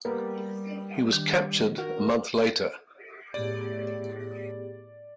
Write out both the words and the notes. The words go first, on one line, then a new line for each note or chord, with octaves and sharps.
He was captured a month later.
G3 A#3 B3
D#3 D4
F#4 A#4
A2 B3 G4 G#4 D5